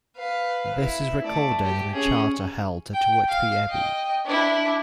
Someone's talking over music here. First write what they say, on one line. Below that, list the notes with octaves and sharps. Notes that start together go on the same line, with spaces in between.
This is recorded in a charter held at Whitby Abbey.
B4 F5
E4
A3 D5
G4
C#4 G#4
G5
F5
D#5 G5
D4 E4